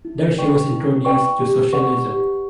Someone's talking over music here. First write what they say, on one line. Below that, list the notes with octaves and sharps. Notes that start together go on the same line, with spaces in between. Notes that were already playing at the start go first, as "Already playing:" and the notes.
There she was introduced to socialism.
E4
B4 D5 G5 C#6
E4
B4 D5 G5 C#6
G4
B4 D5 F#5 C#6
G4